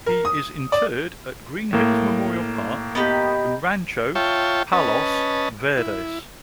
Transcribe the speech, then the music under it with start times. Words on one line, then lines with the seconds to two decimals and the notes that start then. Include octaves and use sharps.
He is interred at Green Hills Memorial Park in Rancho Palos Verdes.
0.06 A#4
0.25 D#6
0.72 D5
1.73 A2 A#3
2.95 B3 D#4 G4
4.15 F4 C#5 E5 G5 A5
4.73 C#4 B4 D#5 A5
5.77 E4